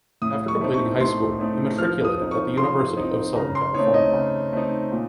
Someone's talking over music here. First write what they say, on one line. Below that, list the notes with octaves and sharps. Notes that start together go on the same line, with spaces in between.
After completing high school he matriculated at the University of Southern California.
A2 D#6
C#6
A3 C4 D#4
C#6
A2 C6
A3 C4 D#4
F3 F6
D#6
C4 D#4
C#6
F3 C6
C4 D#4
C#3 A#5
C6
A3 C4 D#4 C#5
D#5
C#3
A3 C4 D#4
A#2